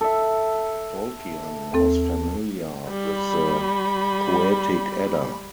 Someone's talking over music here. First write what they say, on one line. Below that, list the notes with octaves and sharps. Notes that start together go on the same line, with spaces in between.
Tolkien was familiar with the "Poetic Edda".
A4 E5
D#2 C4 A4
G3 B5